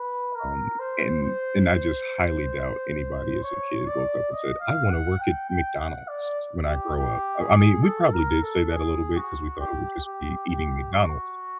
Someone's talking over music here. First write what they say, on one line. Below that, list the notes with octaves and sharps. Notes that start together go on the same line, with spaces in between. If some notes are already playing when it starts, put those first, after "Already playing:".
Um, and and I just highly doubt anybody as a kid woke up and said, "I wanna work at McDonald's when I grow up," I I mean, we probably did say that a little bit 'cause we thought it would just be eating McDonald's,
Already playing: B4
A#4
C5
C5
C#5
D5
D#5
F5
F#5
G5
G5
F#5
D5
G4
G4
G#4
A4
A#4
A4
G#4
F#4
G4
G4
G4
F#4